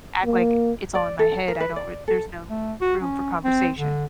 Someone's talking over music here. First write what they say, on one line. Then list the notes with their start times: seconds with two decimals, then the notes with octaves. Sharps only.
act like it's all in my head, I don't re there's no room for conversation.
0.24 A#3
0.95 D5
1.19 A4
1.48 A#4
1.60 B4
1.76 D5
2.08 A4
2.50 A3
2.81 F#4
3.02 C#4
3.44 C4
3.78 D3